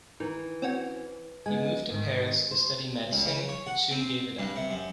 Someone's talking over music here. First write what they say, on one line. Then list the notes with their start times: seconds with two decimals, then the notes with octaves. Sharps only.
He moved to Paris to study medicine, but soon gave it up.
0.20 D#3 E3
0.62 C4 C#4 F#4
1.46 G#3 B3 G#5
1.90 G#2 D#3
2.51 C5
3.12 C#2
3.25 C#3
3.49 C#5
3.66 F#5
3.91 C4
4.39 G2
4.56 C3
4.71 F#2